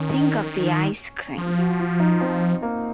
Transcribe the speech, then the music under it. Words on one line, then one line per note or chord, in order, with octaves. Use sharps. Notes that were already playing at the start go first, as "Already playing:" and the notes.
Think of the ice cream!
Already playing: D#3 C#4
F3
F#4
F4
D#4
C4
A#3